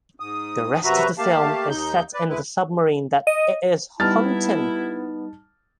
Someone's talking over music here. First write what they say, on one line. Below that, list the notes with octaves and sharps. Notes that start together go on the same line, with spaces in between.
The rest of the film is set in the submarine that it is hunting.
G#2 D#6
F#2 C3 F#4 B4 E5 A#5
A3 A#3 G4 F5 A5
D#2 D#4 G6
B4 D5
D2 G#3 E4 B4
D#5
G3 B3 D#4 E4 A5 F6 A6